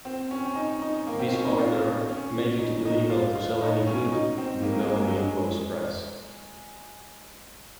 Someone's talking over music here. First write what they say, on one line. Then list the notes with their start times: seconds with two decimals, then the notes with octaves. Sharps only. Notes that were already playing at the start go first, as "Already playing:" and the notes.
This order made it illegal to sell any good below the invoice price.
0.05 C4
0.31 C#4
0.46 C#4
0.56 D#4
0.82 D#4
1.07 A#3
1.19 C4
1.32 C#4
1.45 D#4
1.58 F4
2.09 C#4
2.59 D#4
2.85 D#4
3.10 F4
3.35 F4
3.61 D#4
3.87 C#4
4.12 D#4
4.38 C4
4.62 A#3
4.72 F#3
4.81 G#3
4.88 A#3
5.08 F#3
5.14 G#3